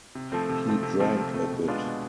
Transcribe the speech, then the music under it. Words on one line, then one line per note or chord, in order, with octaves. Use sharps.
He drank a bit.
C3
F3 A3 C4
C3
F3 A3 C4
C3
F3 A3 C4
C3
F3 A3 C4
B2
G#3 B3 D4 F4
B2